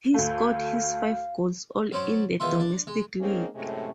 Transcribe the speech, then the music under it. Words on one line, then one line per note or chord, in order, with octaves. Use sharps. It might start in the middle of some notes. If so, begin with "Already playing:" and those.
He scored his five goals all in the domestic league.
D2 A3 F5
F#3 C#4 C5 D5
E2 D#3 F4 E5 C6
D4
G#3
G#3 A#3 C4 C#4 D#4 G#4
F#2 A2 C3 G#3 A3